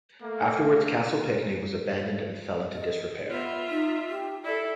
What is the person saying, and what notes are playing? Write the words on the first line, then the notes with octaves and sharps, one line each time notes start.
Afterwards, Castle Pinckney was abandoned and fell into disrepair.
A3 A#3
D#5
B3 F4 E5
D#4
G4
E4 A4 D5